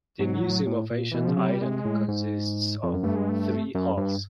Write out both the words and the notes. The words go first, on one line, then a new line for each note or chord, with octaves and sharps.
The Museum of Ancient Iran consists of three halls.
G#2 F#3
A2
A2
A#2
B2 E3
C#3 F3
C3 F#3
G3
C3 G#3
A2
G#2
F2
F#2
G2 A3
G#3
A3
F#2
G2